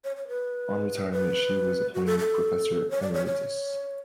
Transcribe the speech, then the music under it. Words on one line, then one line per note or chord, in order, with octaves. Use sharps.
On retirement, she was appointed Professor Emeritus.
C#5
C#5
B4
B4
F#4
A4
A4
C#5
D5
C#5
C#5